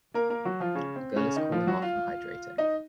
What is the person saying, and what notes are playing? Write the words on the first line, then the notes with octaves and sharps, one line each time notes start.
A girl is cooling off and hydrating.
A#3 A#4
A#3 A#4
F#3 F#4
F3 F4
C#3 C#4
C4
C#3 C#4
D#3 D#4
F3 F4
F#3 F#4
F4 F5
D#4 D#5